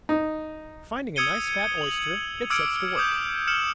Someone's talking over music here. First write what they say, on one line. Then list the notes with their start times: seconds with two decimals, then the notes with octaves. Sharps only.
Finding a nice fat oyster, it sets to work.
0.09 D#4
1.16 D#6 E6 G#6 C#7 D#7 G7
1.78 F7 F#7
2.50 D6 E6 F6 G#6 C#7 D7
2.96 D6 D#6 G6
3.48 F6 C#7 E7 F#7